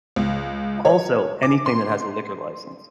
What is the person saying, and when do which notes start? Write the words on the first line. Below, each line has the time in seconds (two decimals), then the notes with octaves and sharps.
Also, anything that has a liquor license.
0.16 C#2
0.85 C#5
1.43 D6
1.66 C6